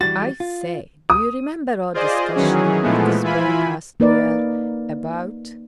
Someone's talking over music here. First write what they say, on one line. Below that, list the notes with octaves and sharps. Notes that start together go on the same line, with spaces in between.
"I say, do you remember our discussion in Petersburg?" asked Pierre, "about..."
E3 G3 F#4 A6
F4
D#6
F4 G#4 C5 D5 D#5
D#3 E3 F#3 C#4 G#4
A#2 E3 F3 G#3 A3 B3
E3 E4 F4 G#5 B5
A#3 D#4 A#4 B4 D5